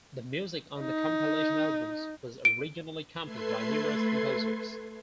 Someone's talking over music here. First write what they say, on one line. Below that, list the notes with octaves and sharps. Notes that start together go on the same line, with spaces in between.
The music on the compilation albums was originally composed by numerous composers.
D#4
D7
A3 A4 B4 C6 G#6 C7